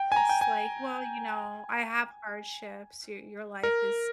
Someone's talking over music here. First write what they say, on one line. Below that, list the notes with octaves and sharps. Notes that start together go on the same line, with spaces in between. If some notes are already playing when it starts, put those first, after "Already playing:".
uses. Like, "Well, you know, I have hardships. Your your life is,
Already playing: G5
G#5
A#5
G5
G#5
A#4